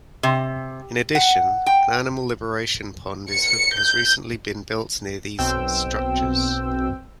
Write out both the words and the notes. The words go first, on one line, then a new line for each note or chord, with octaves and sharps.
In addition, an animal liberation pond has recently been built near these structures.
C3
F#5
G5
C#7
G6
B1 B2 C4 G5 E6